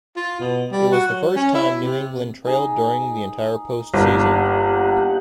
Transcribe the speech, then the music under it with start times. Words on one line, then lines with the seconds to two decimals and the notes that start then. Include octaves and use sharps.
It was the first time New England trailed during the entire postseason.
0.16 F4
0.40 B2
0.72 G3
0.92 F#4
1.08 F#3
1.36 C#4
1.55 E4
1.80 C3
2.44 D#4 G#4
3.94 G1 A#3 D4 D#4 G4 F#5